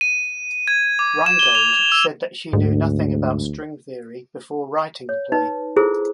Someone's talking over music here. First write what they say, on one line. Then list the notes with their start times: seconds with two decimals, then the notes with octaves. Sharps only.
Reingold said that she knew nothing about string theory before writing the play.
0.01 D#7
0.68 G#6
0.99 D6
1.26 E7
1.39 G7
1.55 F7
1.92 E6
2.53 D2 G#2
5.09 C#5
5.32 D#4 B4
5.76 E4 F4 G#4 A4 C5